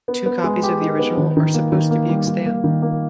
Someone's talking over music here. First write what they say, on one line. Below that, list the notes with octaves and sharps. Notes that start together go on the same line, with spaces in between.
Two copies of the original are supposed to be extant.
B3
B3
G#3
G4
D#4
B3
D#3
D#3
A#3
D#3
A#3
G3
G3
A#3
D#3
A#3